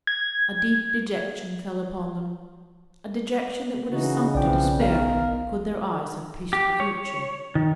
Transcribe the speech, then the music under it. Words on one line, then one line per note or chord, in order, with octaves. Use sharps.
A deep dejection fell upon them,--a dejection that would have sunk to despair could their eyes have pierced the future.
G#6
C#3 E3 D#4 F#4
B1 E3 F3 D5 G5
G1 D#3 B3 A#4 F5
G4
C#5
D#3